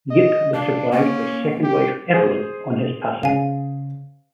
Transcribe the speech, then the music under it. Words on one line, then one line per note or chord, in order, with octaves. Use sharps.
Yip was survived by second wife Evelyn on his passing.
D#5
D4 F5
A#3 C#4
G4
G#4 C5
C#3 F5 G#5